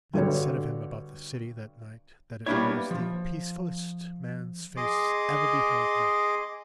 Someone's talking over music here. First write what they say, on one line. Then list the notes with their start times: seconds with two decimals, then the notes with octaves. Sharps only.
Men said of him about the city that night that it was the peacefullest man's face ever beheld there.
0.14 G2 D3 F#4 C#5
2.46 G3 A#3 B3 D4 E4 C#5
2.91 F3
4.77 G#4 D#5 C6 D6